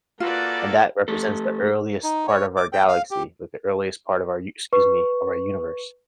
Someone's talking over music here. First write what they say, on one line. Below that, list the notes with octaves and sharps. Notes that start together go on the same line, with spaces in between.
and that represents the earliest part of our galaxy, like, the earliest part of our u excuse me, of our universe.
A#3 F4 F#4 A4 B4 D5
A3 G4 A4
D#4
C#5
D6
G5
F5
G4
B4 C#6